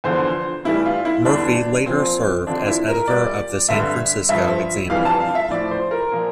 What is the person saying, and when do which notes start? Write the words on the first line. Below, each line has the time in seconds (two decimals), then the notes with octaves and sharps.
Murphy later served as editor of the "San Francisco Examiner".
0.04 E2 D3 F3 C5
0.65 A2 E3 G3 E4
0.85 F4
1.05 E4
1.25 E2 D3 G3 D4
1.86 A#2 F3 C4
2.47 F2 D3 F3 D4
2.67 E4
2.88 A#4
3.07 A#2 G3 D5
3.69 G2 D3 G3 E5
4.29 G2 F3 E5
4.90 F2 E3 G3 F5
5.05 A5
5.20 F5
5.35 E5
5.50 A2 F3 D5
5.71 C5
5.91 A#4
6.12 A#2 F3